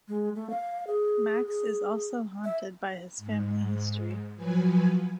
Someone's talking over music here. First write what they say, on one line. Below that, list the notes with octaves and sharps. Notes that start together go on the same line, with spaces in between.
Max is also haunted by his family history.
G#3
A3
F5
G#4
G#4
E5
G#2
F3 F#3 B4 G#5